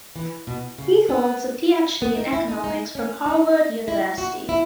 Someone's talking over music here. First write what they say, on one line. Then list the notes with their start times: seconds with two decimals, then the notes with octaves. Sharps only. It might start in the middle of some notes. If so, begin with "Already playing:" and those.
He holds a Ph.D. in economics from Harvard University.
0.16 E3
0.47 B2
0.78 C#3
1.09 B3
2.02 B3
2.17 D#4
2.33 E4
2.48 D#4
2.64 D#4
2.95 C#4
3.26 D#4
3.88 E4
4.18 F#4
4.49 E4